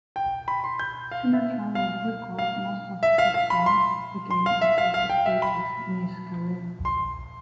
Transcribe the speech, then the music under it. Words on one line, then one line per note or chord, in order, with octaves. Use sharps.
Sinatra would record most of these songs again at later stages in his career.
G5
B5
C6
G6
F5
E5
F5
F5
E5
F5
F5
B5
C6
C6
F5
E5
F5
F5
G5
E5
B5
C6